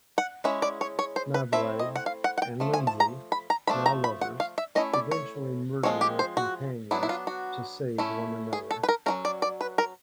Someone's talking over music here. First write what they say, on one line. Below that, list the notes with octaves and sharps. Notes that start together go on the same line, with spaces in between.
Mavrides and Lindsay, now lovers, eventually murder their companions to save one another.
F#5
G#3 C#4 E4 E5
D5
C#5
C#5
C5
B4
A3 C4 E4 E5
D#5
F#5
F5
F#5
F#5
G5
F3 A3
G#5
A5
A#5
B5
A#5
F3 A3 D4 B5
A#5
B5
F#5
F5
E5
A3 C#4 E4 D#5
D5
C#5
F3 G#3 C4 C#5
G4
C5
F#4
F#3 B3 D4 E4
E4
F4
F#4
A3 C#4 E4
G#4
A4
B4
A#4
F#3 A3 C#4 A#4
D5
D5
B4
A#4